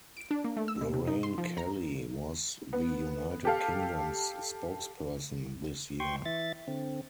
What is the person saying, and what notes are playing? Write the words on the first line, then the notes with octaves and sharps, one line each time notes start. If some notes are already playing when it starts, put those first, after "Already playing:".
Lorraine Kelly was the United Kingdom's spokesperson this year.
D7
D4
A#3
A3
E6
B2
C3
D#4
C6
F3
A#5
B3
G4 A4 F5
G5 C6 C#6
E3 E5 A6
D3 C4